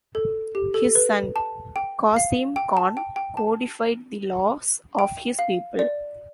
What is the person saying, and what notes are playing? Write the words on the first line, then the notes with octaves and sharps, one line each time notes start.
His son, Kasym Khan codified the laws of his people.
A4
G4
A4
B4
A5
G5
F5
G5
A5
G5
G5
A5
G5
F5
D5